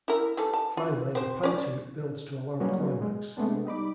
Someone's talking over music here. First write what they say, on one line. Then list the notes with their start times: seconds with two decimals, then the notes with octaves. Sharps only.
Finally the pant-hoot builds to a loud climax.
0.08 E4 A#4
0.37 E3 G3 A4
0.54 A5
0.77 F4
1.15 C4 C5
1.43 C#4 D5
2.60 F#3 G3 A#3 B3 C#4 F#4
3.02 G#3
3.37 C3 G#3 A3 B3 D4
3.65 G3 D#4 B5 D6